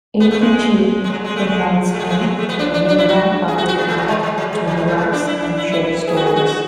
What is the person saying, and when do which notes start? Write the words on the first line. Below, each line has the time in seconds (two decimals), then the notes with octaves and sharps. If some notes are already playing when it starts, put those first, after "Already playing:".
Eikichi invites him to a nearby public bath to relax and share stories.
0.20 B3
0.31 A3
0.40 G#3
1.04 G#3
1.10 F#3
1.24 G#3
1.36 A3
1.47 G#3
1.93 A3
1.99 G#3
2.05 A3
2.09 G#3
2.19 F#3
2.39 A3
2.49 B3
2.59 D4
2.74 D4
2.89 D4
2.98 E4
3.09 F#4
3.48 G#4
3.58 F#4
3.68 F#4
3.78 B3
3.88 A3
3.98 F#3
4.08 G#3
4.23 G#3
4.38 F#3
4.53 G#3
4.67 F#3
4.77 G#3
4.88 A3
4.98 B3
5.12 D4
5.27 E4
5.42 D4
5.57 E4
5.72 E4
5.87 E4
6.07 G#4
6.17 F#4
6.26 G#4
6.36 F#4
6.46 F#4